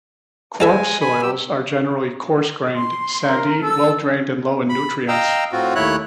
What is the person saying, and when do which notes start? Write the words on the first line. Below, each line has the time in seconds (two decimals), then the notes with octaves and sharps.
Korup soils are generally coarse-grained, sandy, well drained and low in nutrients.
0.60 G#3 D#4 A4 E5 G#5
1.01 G#5 B5
1.22 G4 E6
2.75 C6
3.25 A#4
3.63 A4 E6
4.69 B5
5.08 D#5 F5 G5 A#5 E6
5.52 A2 C4 F4 F#4
5.75 D#2 A3 E4 C#5 F#6